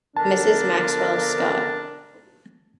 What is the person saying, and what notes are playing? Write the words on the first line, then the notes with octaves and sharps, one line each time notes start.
Mrs Maxwell Scott.
D3 F3 B3 D4 A#4 A5